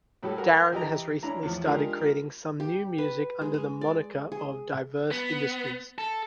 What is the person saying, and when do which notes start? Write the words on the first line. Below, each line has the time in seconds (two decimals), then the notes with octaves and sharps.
Darren has recently started creating some new music under the moniker of Diverse Industries.
0.23 A2 F#3 G3 G4 A4
0.38 F#4 G#4 A#4
0.72 E3 G4 D#5 A#5
1.23 C#4 D4 E4 A#5
1.43 E2 A2 F3
1.64 D#3 G#3 D4 F4 G4 A#4
2.60 G4
2.98 B4
3.41 G#3
3.54 G#3
3.81 D5
4.32 G#4
5.11 B3
5.98 A4